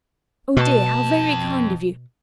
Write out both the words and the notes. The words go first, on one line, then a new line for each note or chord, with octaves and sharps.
Oh dear, how very kind of you!
F2 B2 A5